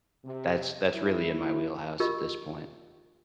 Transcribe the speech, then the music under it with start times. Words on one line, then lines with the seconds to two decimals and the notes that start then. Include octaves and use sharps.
That's that's really in my wheelhouse at this point.
0.25 C3
0.95 E4
2.00 F4 G4 A#4 D#5 E6